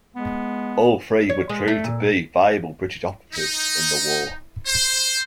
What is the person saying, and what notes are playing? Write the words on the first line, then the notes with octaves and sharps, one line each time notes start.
All three would prove to be valuable British operatives in the war.
G#3 B3
C#5
G#3
A3
A#2
D#4
C5